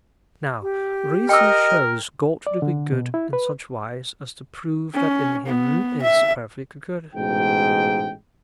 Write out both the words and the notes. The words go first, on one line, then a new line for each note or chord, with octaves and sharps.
Now, reason shows God to be good in such wise as to prove that in Him is perfect good.
G4
A#4 D#5 G5 E6
D5
D3
B2
E4
B4
C#4
B3
E5
A1 G#2 B2 G#3 G5